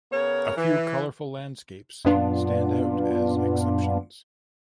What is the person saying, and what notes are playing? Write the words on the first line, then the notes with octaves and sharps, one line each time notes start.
A few colorful landscapes stand out as exceptions.
C#3 B3 A#4 C#5
E3
F#2 A#2 B3 D4 F4